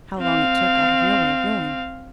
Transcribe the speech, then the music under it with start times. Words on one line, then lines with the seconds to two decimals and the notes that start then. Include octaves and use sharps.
How long it took I have no way of knowing.
0.19 C4 F5